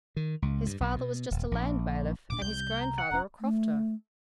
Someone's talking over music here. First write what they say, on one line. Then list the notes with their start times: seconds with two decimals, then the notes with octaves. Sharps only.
His father was just a land bailiff, and his grandfather a crofter.'
0.16 D#3
0.42 C#2
0.66 G2
0.80 B1
0.96 B2
1.31 D#1
1.51 A#1
2.30 D1 A#2 D4 D6
2.42 C2 C3 G3 G6
2.80 A#5
2.98 F#5
3.11 E1 C#4 A#5
3.41 A3